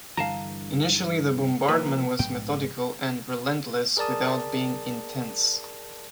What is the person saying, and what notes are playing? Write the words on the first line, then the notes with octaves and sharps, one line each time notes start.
Initially the bombardment was methodical and relentless without being intense.
G2 D3 E3 F5 A5 A#5
C2 F3 A#3 B4
A#1 G#2 B3 G5
G#4 A#4 D5 A5 D#6